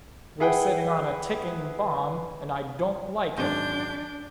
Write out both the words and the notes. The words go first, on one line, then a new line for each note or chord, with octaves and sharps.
We're sitting on a ticking bomb and I don't like it.
E4 G#4 B4 F#5 G5
G#1 F#2 G#3 D4 G6